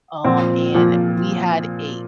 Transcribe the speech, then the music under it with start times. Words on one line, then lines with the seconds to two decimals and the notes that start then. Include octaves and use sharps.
um, and we had a
0.24 A#2 F3 C4
0.74 A#2 F3